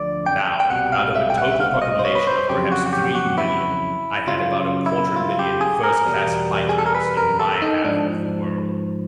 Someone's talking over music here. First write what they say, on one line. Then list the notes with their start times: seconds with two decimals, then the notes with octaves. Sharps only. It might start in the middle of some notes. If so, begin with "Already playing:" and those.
Now, out of a total population of perhaps three million, I had about a quarter-million first-class fighters in my half of the world.
Already playing: D2 D3 F3 D5
0.26 G5
0.60 G5
0.70 C2 B2 G3 F#5
0.92 F5
1.15 E5
1.30 G5
1.38 F#5
1.52 E5
1.60 F5
1.82 D#5
1.99 C5
2.05 C#5
2.15 B4
2.27 C5
2.49 F2 C#3 F#3 G4
2.72 F#4
2.86 F#4
2.93 G4
3.15 F#4
3.38 E4
4.27 F#2 C#3 F#3 F4
4.86 E4
5.16 F4
5.39 G4
5.61 G#4
5.84 A#4
6.05 E2 B2 G3
6.69 G#4
6.78 A4
6.86 A#4
6.95 B4
7.17 A#4
7.40 A4
7.62 D#4
7.84 G#2 F3 D4